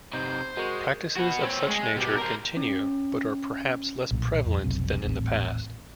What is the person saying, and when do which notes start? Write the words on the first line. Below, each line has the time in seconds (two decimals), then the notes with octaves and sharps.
Practices of such nature continue but are perhaps less prevalent than in the past.
0.13 C3 D#4 C5 G6
0.57 G#3 F#4 A#4 C#6
1.16 F#4 B4
1.41 C4 C#5
1.68 G#3
1.96 B2 G4
2.17 A#4 C5
2.57 C#4
4.11 B1 A#2
4.46 F2
4.64 F1 B1 C4
5.04 D#1 A1 C4